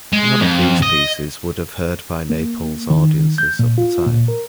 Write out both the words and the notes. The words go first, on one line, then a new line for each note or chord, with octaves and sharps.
None of these pieces would have heard by Naples' audiences of the time.
G#3
F2
D#5
A#3
D#3
G6
A#2
F4
A#2
A#4